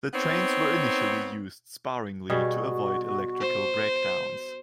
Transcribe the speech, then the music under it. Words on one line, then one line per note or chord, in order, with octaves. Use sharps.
The trains were initially used sparingly to avoid electrical breakdowns.
B3 C4 D#4 C#5
B2 G3 F#4 G#4
C5